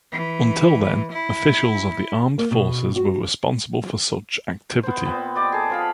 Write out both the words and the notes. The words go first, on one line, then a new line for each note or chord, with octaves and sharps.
Until then, officials of the Armed Forces were responsible for such activity.
E3
E4
A#3
B2
F#4
B3 C5
A#2 B3 C4
G4 D5 D#5
G#4 A4
F3 F5 B5